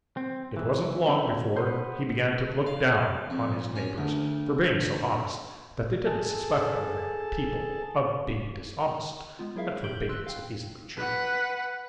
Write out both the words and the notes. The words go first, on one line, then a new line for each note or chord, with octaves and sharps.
It wasn't long before he began to look down on his neighbors for being so honest that they didn't suspect other people of being dishonest, and for being so easily cheated.
C4
E3
C#4 E4 G5 A#5 B5
B3 C5
F5
F2
C#4
D2
G#4 A4 A5
G#3 B3 F4
F#3 E4 G#4 A#4 E5 F5
D#3 G4 G6 D7 F#7 G7
C6 E6 F#6
F5 G5
B4 F#5